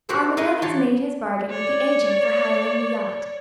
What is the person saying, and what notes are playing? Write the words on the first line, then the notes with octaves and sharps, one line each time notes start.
Armadale has made his bargain with the agent for hiring the yacht.
F#4 G4 A#4 C5 E5 F#5
C4 D#4 G#4 A#4 B4 D#5
E3 G4 C#5 A5 C6
C#5 D5